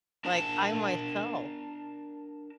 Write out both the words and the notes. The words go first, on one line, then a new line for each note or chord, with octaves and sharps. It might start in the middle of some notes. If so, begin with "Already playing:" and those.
Like, I myself
D4 A#4 A5